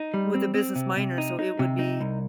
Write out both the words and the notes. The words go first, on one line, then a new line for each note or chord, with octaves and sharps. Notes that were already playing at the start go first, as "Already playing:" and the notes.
with a business minor, so it would be
Already playing: D#4
G3
C4
C4
C3
C3
D#4
D#4
C3
D#4
C2